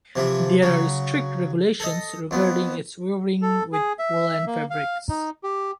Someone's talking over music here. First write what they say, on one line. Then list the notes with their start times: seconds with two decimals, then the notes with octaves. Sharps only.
There are strict regulations regarding its wearing with woollen fabrics.
0.16 C3 E3 F3
0.62 C#3 F#3
1.80 A4 D#5
2.31 F2 B3
3.42 A4
3.73 G#4
3.99 E5
4.47 A#3
4.70 F5
5.09 D#4
5.44 G4